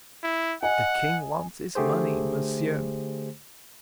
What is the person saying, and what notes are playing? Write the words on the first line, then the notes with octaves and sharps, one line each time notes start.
"The king wants his money, monsieur."
E4
D#5 F#5 G#5
D3 A3 G4 G#4 C5